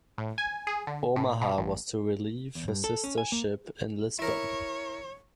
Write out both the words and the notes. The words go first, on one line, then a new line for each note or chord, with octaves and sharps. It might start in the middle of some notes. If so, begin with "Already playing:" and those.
"Omaha" was to relieve her sister ship in Lisbon.
A2
G#5
G#4
D3
A2
B2
A1
E2
G2
A4
C#4
G#5
A#3
E4 A#4 C#5